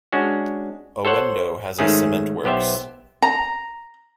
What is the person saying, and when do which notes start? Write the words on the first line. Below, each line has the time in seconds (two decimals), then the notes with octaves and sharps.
Owendo has a cement works.
0.12 G#3 C#4 D4 F#4
1.05 A4 C5 C#5 F#5
1.79 G#2 D#3 A3 C#4 G#4
2.44 B1 B3 G4 C5 E5
3.22 A#5